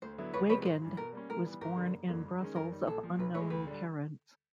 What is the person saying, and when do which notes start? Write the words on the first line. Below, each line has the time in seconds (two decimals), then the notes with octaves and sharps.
Weygand was born in Brussels of unknown parents.
0.02 D2 C5
0.18 D3 F#3 B3 E4
0.34 C#2 B4 C#5
0.50 C3 F3 G#3 C4 B4 C#5
0.62 B4
0.65 G#1 C5
0.82 G2 E3
0.97 B2 A#4
1.13 G3 A#3 C#4
1.29 A2 A#4
1.44 E3 G3 B3
1.61 G#1 A#4
1.76 G2 D3
1.92 F#1
2.08 F2 D3 F#3 A#3
2.24 G2
2.40 D#3 G#3 C#4
2.56 F#2 A#4
2.72 D#3 G3
2.87 A#1 A4
3.03 A#2 F3
3.18 B1 B4
3.34 A2 E3 G#3 B4 C#5
3.50 D2 B4
3.67 D3 G3